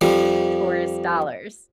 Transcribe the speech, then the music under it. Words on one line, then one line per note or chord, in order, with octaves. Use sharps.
tourist dollars.
F2 F3 G3